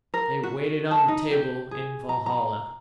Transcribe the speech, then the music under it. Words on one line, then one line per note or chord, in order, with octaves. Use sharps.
They waited on the table in Valhalla.
A#4
F#4
A5
D#4
G4
G#4
A#5
A#5